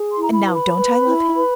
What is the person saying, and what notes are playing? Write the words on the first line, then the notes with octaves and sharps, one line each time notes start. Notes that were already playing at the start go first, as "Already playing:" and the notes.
And now don't I love him?
Already playing: G#4
C6
E4 A#5
B5
B4
B5
B4
E4
B4